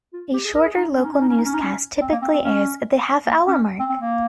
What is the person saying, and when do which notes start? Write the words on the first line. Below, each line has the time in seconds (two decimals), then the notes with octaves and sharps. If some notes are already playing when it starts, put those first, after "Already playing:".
A shorter local newscast typically airs at the half-hour mark.
0.13 F4
0.34 G4
0.45 G#4
0.55 A#4
0.65 G#4
0.76 D#4
0.96 C#4
1.05 D#4
1.13 C#4
1.21 D#4
1.29 C#4
1.37 D#4
1.45 C#4
1.54 D#4
1.61 C#4
2.01 C4
2.12 A#3
2.22 C4
2.33 C4
2.44 C#4
3.27 A#3
3.48 C#4
3.80 C4
3.90 C4
4.00 A#3